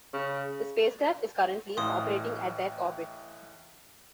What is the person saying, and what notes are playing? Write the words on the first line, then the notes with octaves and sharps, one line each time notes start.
The spacecraft is currently operating at that orbit.
C#3
A1 A2 F5 C6 D#6